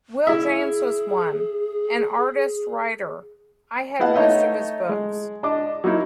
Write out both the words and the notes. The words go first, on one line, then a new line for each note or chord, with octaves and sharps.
Will James was one, an artist-writer-I had most of his books.
E4 G#4 E5
B3 E4 D#5 F5 F#5 A5
A3 D#4 C#5 D#5 E5
G#3
D4 D#5 A5 D6
F#3 A#3 D#4 E4